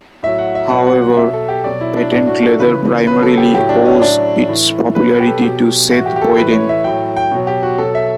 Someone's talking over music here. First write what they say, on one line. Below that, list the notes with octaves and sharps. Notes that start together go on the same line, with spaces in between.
However, patent leather primarily owes its popularity to Seth Boyden.
A2 F#3 E5
F#5
E5
B2 F#3 F#5
F#5
F#5
B2 F#3 E5
A4
G4
B2 F#3 D5
E4
D4
A2 F#3 D4
F#4
A4
C#3 E3 B4
C#3 F#3 B4
A4
G4
A2 F#3 G4
D4
C#4
A2 F#3 D4
A2 E3
B2 F#3 B4
B4
G4
A4
B2 F#3 G4
A2 E3 F#4
G4
G4
A4
A2 E3 B4
C#5
E5
A2 F#3 G5
G5
B2 F#3
G4
F#4
B2 F#3 A4
E5